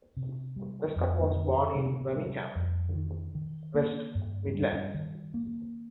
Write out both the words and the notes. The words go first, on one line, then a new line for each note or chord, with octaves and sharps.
Lescott was born in Birmingham, West Midlands.
C3
G3
F2
D#3
C3
G3
F2
D#3
D#3
A#3
G2
G3
D#3
A#3